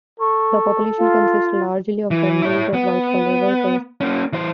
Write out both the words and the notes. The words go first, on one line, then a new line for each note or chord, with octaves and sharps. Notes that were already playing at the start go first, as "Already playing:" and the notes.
The population consists largely of families of white collar workers.
A4 C#6
F4 F5
E3
E4 C#5
B3
A#3 C#4
E3 C5